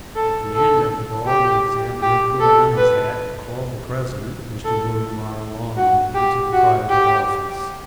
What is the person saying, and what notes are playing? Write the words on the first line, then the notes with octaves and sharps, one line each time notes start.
At the end of it all the examiner put on his hat, and called the president, Mr. William R. Longley, into the private office.
A4
A4
G4
G4
A4
B4
A4
F#4
G4
F#4
G4